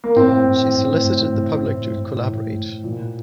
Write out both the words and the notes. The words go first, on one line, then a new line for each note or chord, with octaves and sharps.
She solicited the public to collaborate.
A#3
A2 C4
A2
A2
A2
A2
A2
A2
A2
A2
A#2